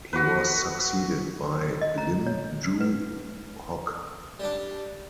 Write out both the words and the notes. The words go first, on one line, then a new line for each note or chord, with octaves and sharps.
He was succeeded by Lim Yew Hock.
F#4 B4
D#5
A#5
C#5
B4
G3 D4